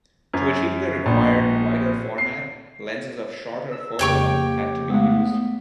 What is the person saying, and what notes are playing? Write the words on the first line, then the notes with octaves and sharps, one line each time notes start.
To achieve the required wider format, lenses of shorter focal-length had to be used.
F#2
A#1
C7
E6
F2 C#3 A#3 G4 C#5 G5 C#6
G#3 A3 B3